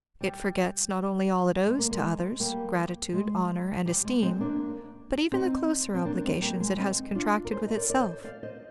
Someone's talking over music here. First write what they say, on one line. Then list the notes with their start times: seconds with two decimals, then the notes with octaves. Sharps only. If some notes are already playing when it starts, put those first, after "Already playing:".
It forgets not only all it owes to others,--gratitude, honor, and esteem,--but even the closer obligations it has contracted with itself.
0.21 G3
1.66 G#3
1.79 A#3
1.91 G#3
2.40 G3 A#3
3.13 G#3
3.86 G3
4.04 G#3
4.22 G#3 C4
4.41 A#3 D4
5.32 C4 D#4
5.94 C4
6.05 A#3 D4
6.23 G#3 C4
6.42 G3 A#3
6.60 G#3
6.78 C4 D#4
7.15 D4 F4
7.45 A#4
7.51 G#4 C5
7.67 D#5
7.76 A#4 D5
7.90 D5
8.00 C5 D#5
8.24 D5 F5
8.43 C5 D#5